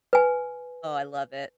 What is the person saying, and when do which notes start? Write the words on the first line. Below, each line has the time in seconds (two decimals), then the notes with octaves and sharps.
Oh, I love it.
0.13 B4 G#5